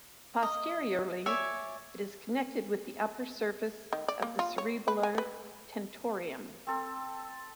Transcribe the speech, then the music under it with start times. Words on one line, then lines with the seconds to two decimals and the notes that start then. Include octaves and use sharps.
Posteriorly, it is connected with the upper surface of the cerebellar tentorium.
0.43 D#5
1.26 C#5 D5 E5 G#5
3.93 D#3
4.08 D5
4.22 A#3
4.39 F4
4.58 C#5
4.88 B4
5.03 G#5
5.18 B4
6.67 C4 A4